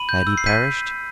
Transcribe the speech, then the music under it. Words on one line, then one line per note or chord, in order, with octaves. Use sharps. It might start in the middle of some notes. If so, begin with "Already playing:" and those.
Had he perished?
Already playing: B5 D#7 F#7
G6
E6
C7
G6 B6 D#7